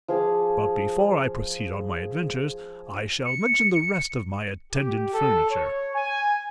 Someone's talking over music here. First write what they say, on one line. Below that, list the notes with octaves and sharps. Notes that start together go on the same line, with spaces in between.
But before I proceed on my adventures, I shall mention the rest of my attendant furniture.
F3 G#4 D6
C#7
G4
A4
C#5
G#5